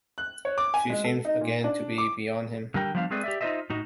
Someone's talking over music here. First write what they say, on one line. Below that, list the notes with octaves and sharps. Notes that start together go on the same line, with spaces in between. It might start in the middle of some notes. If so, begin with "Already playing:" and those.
She seemed again to be beyond him.
F#6
C#5
D6
G#5
G#3
A4
D#4
A#2
D4
D6
D3 G3 A#4 G5
F3 G3 B3 D4 F5
G#3 A3 C4 G#4 B4 D5
G4 D5 E5
D#4 F4 A4 C5 D#5 E5
A2 D#4 F#4